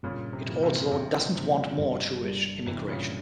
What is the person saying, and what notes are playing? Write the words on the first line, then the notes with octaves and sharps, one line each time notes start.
It also doesn't want more Jewish immigration.
G1 A#2 C#3
C3
G2 F3 A#3 E4
C3
G1 C3
G2 C3 F3 A#3 E4
G1
G2 G3
G1 C3 E3
A#2 C#3